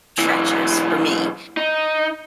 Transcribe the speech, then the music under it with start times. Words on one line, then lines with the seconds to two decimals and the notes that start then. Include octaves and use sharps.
treacherous for me,
0.19 B1 E3
1.57 D#4